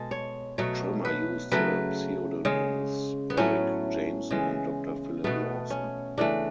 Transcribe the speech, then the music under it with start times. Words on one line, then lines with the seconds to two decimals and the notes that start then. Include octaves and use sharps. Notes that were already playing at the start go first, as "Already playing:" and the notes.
Trimmer used the pseudonyms Eric Jameson and Doctor Philip Lawson.
Already playing: B2 G#3 A4
0.11 C#5
0.58 B2 F#3 A3 C#5
1.05 B4
1.52 C#3 F#3 A3 B4
2.45 C#3 G#3
3.30 B3
3.37 A2 F#3 A3 C#4
4.31 C#3 E3 G#3
5.24 B2 A3 B3
5.70 C#4
6.18 C#3 E3 A3 D4